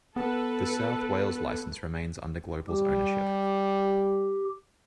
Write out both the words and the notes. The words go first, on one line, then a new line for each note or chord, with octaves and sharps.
The South Wales licence remains under Global's ownership.
B3 A4 B4
G3 G4